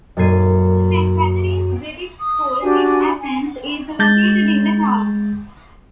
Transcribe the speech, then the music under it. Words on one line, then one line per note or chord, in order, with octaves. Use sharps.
St.Catherine's British School in Athens is located in the town.
F#2 A#2 A4 G#6 C7 D#7
D#6
D4 F#4 G4 G#5
G#5
G#3 G6 A6 A#6